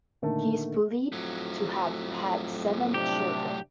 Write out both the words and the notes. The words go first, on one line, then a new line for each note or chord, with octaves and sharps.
He is believed to have had seven children.
A#2 D3 D#3 A3 A4 A#4
F2 A2 F#3
C3 D4 G4